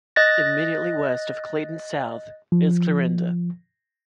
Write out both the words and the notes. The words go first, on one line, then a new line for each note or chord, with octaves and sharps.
Immediately west of Clayton South is Clarinda.
D#5 F#6 A6 A#6
F3